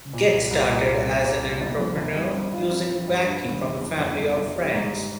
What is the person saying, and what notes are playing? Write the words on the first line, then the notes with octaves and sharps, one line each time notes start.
Get started as an entrepreneur using backing from family or friends.
A#2
C2
C2
A#2
C2
C3
C2
C3
G1
F3
G1
G2
C4
F4
C4
C4
G2
G2
G#1
G#1
F2
G1
G1
G1
G3
G#2
G3